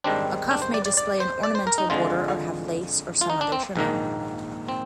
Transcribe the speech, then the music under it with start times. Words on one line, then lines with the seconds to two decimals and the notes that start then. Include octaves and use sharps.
A cuff may display an ornamental border or have lace or some other trimming.
0.04 G#2 D#3 G3 C4 D4
0.51 D4
0.62 C5
0.74 D5
0.86 D5
0.97 D5
1.20 C5
1.43 D5
1.55 C5
1.67 A#4
1.78 D#4
1.90 F2 D3 G#3 F4
3.21 F4
3.30 D#4
3.41 D4
3.52 C4
3.76 A#1 G#2 D#3 A#3
4.69 C4